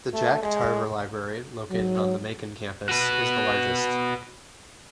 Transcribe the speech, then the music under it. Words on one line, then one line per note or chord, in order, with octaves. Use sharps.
The Jack Tarver Library, located on the Macon campus, is the largest.
A3
G#3
F#3
F#4 B4